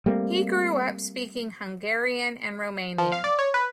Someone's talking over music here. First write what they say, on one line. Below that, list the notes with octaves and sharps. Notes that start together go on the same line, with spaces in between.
He grew up speaking Hungarian and Romanian.
G3 A3 A#3 C4
F3
F5
D5
C#5
B4